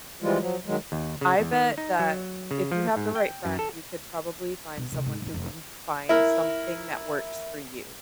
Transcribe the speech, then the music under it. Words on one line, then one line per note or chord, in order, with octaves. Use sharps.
I bet that if you have the right friend, you could probably find someone who can find something that works for you.
E3 F3 G3 G#3 F4
F3 F#3
D#3 F#3 G#3
D#2
C#3
E2
D#3
D#4
F#3
C#3
F3
G#2
G5
F#2
A4
B2
D2 C3
G#2
A#1 D#4
F1 F2
E4 A#4